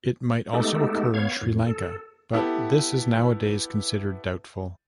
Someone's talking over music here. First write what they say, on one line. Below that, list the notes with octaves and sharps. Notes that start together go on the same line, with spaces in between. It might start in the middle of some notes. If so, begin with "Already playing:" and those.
It might also occur in Sri Lanka, but this is nowadays considered doubtful.
G#3 A3 B3 D#4 G4 A4
B3 C#5 F5 G#6
F2 A2
A4
B3 E4 G4 A4